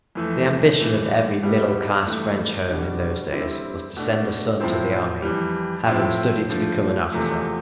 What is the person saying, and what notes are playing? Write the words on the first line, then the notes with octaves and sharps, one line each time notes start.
The ambition of every middle-class French home, in those days, was to send a son to the army--have him study to become an officer.
F2 E3 A3
G2 E3 A3
B2 G3 B3 E4
G2 E3 A3
B2 G3 D4
D3 G3 C4 E4
B2 A3 D4
A2 F3 C4 E4
F2 E3 G3
A2 F3 C4 E4
D3 F3 A3
E2 C3 F3 A3